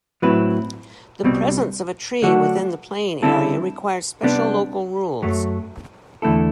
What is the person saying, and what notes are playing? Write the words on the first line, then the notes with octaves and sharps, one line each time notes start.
The presence of a tree within the playing area required special local rules.
A2 F#3 C4 E4 B4
C2 B2 G3 C4
D3 F#3 A3 D4 F#4
D3 G3 C4 E4 A4
C3 G3 B3 D4
F#2 F#3 A3
E2 D3 A3 E4 A4